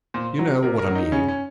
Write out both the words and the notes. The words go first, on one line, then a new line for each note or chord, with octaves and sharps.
You know what I mean.
A#2 C5
F#3
C3 A#4
A#4
F#3
D#4
C#3 C#4
C#4